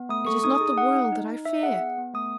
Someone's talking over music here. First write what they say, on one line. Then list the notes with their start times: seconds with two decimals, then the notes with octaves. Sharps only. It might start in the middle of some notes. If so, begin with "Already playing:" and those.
It is not the world that I fear!
Already playing: B3
0.09 A3 D#6
0.27 A4 C#6
0.44 D#4 D#6
0.55 D#6
0.61 G#4
0.66 D#6
0.78 D#4 F#5
0.94 D#4
1.12 D#4
1.30 D#4
1.45 D#4 E5
1.63 G#4 F#5
1.80 B3
1.98 B3
2.14 A3 D#6